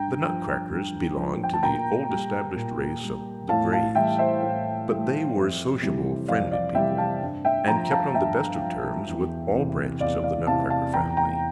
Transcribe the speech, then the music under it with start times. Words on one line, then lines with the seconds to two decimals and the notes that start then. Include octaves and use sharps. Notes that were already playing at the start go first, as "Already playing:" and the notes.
The Nutcrackers belonged to the old-established race of the Grays, but they were sociable, friendly people, and kept on the best of terms with all branches of the Nutcracker family.
Already playing: G2 G5 A#5
0.23 F3
0.70 G2
1.16 F3
1.44 G5
1.53 A5
1.63 A#2 G5 A#5
2.09 G3
2.56 A#2
3.02 G3
3.49 A2 F5 A5
3.72 F5 A5
3.95 E3 G3 E5 G5
4.19 C5 E5
4.42 A2
4.89 E3 G3
5.35 F2
5.82 C3 E3 G3
6.28 F2 D5 F5
6.51 D5 F5
6.74 C3 E3 G3 E5 G5
6.98 F5 A5
7.22 G2
7.45 E5 G5
7.68 F3 G5 A#5
7.91 F5 A5
8.14 G2 E5 G5
8.61 F3
9.08 E2
9.54 C3 E3
10.00 E2 D5 F5
10.23 D5 F5
10.47 C3 E3 F5 A5
10.70 F5 A5
10.94 E2 G5 A#5
11.17 G5 A#5